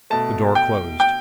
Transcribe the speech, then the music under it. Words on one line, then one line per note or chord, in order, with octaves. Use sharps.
The door closed.
B2 A3 A5
G5
G5